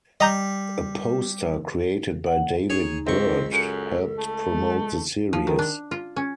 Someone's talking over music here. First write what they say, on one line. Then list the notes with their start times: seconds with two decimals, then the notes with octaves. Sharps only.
A poster created by David Byrd helped promote the series.
0.20 G3 D#5 A#5 G6
2.26 F#5
2.70 D#4 G#4 C#5
3.07 C#2 C4 C#6
3.52 F#2 A4
4.18 A3
4.49 G#3
5.33 F3
5.47 D#3
5.59 D4
5.91 F4
6.16 C#4